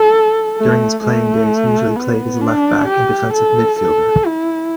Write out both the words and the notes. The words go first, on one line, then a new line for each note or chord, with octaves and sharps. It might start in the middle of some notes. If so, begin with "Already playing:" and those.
During his playing days, he usually played as a left back and defensive midfielder.
Already playing: A4
A3
A3
B3
D4
G4
A4
A4
E4